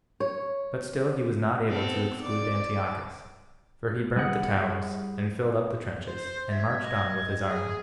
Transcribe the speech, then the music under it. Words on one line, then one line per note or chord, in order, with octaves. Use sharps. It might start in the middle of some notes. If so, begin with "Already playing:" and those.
But still he was not able to exclude Antiochus, for he burnt the towers, and filled up the trenches, and marched on with his army.
C#5
B3 C4 A4
D5
G3 E4 G#4 F#5
C5
E5 G#6
D#5
G#4